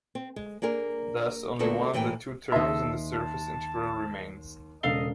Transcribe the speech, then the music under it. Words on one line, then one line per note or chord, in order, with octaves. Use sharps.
Thus only one of the two terms in the surface integral remains.
C4
G#3
A#3 D4 G#4 A#4
D2 A#3 B3 F#4 A4
A2 E3 A#3 D#5 G5
D#2 A4 D#5 E5 C6
A5
E1 C#3 A4 D#5 F5 G7